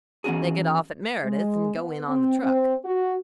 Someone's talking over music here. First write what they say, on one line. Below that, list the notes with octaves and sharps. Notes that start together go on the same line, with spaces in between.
They get off at Meredith and go in on the truck.
E3 B3 C#4 F#4 G#4
G#3
B3
C4
C4
F#4